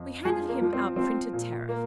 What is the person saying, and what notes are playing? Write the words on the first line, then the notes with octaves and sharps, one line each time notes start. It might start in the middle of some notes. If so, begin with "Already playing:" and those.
We handed him our printed tariff.
Already playing: F2
F3 G#4
A#3
F3
C4
F3 C4
A#2
A#3